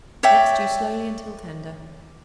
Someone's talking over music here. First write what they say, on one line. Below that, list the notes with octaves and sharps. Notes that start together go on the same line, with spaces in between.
Let stew slowly until tender.
C#5 D5 E5 G5